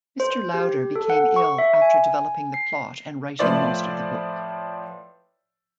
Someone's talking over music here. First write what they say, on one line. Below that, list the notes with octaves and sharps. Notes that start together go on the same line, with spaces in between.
Mr. Lowder became ill after developing the plot and writing most of the book.
C5
G4
A4
F#5
C#6
E5
G#5
C7
A2 F3 B4 C5 D5 E5